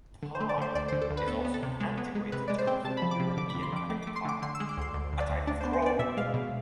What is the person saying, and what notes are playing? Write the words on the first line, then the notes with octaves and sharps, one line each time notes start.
"Pie" is also an antiquated term for the European magpie, a type of crow.
D3
C5
A3
D5
D3 C5
D2 D5
D3 C5
A4
D2
B4
B3 A4
B3
A4
C3
G#3
B3
G#3
C3 B4
G#3 D5
C5
C4
C3 A5
F3 B5
D6
C3
D3 D6
F2 B5
C6
F2 D6
A3 D6
A3 D6
C6
D3 D6
D3 C6
E6
G#3
D6
D2 C6
D2
D2
D5
D2
D4 D5
C5
B3
C5
B3 D5
B2 E5
G#3 F5
B2